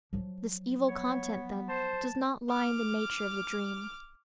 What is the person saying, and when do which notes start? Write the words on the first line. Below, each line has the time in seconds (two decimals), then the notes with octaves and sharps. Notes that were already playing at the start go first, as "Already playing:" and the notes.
This evil content, then, does not lie in the nature of the dream.
0.13 F3 F#3
0.88 B3 C#5
1.69 C5 A5
2.49 D6 F6